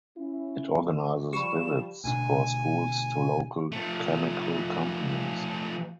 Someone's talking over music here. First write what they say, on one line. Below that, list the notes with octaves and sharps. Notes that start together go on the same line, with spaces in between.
It organises visits for schools to local chemical companies.
C#4 E4
F3 G3 G4 B5 C#6 E7
D2 B2 D4 G#5
F3 A3